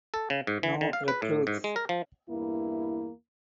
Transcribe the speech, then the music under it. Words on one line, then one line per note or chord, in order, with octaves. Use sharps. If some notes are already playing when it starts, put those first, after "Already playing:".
No recruits.
A4
C#3
G#2
E3
D3
F5
B4
A2
G#2
G#3
A#4
F3
E2 G2 A#3 E4